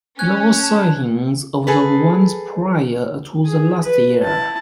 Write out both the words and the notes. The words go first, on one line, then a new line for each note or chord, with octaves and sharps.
There were sightings of the ones prior to the last year.
C#4 G#5 F#6 G#6
A5
G#4 A4 B4
G#4
B4
E4 A5